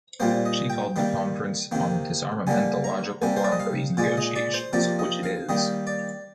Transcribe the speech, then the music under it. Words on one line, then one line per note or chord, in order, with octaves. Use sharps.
She called the Conference on Disarmament "the logical forum for these negotiations," which it is.
A#2 G3 A#3 C5
D#5
G5
D#3 G3 A#3
C3 D#3 A#3
D3 G3 A#3 G#5
A#5
C3 G3 A#3 G#5
C5
D5
D#5
F5
A#2 G#3 D5
D#5
D5
C5
C3 F3 A#3 D5
D#5
F5
D#3 G3 A#3 D#5
D5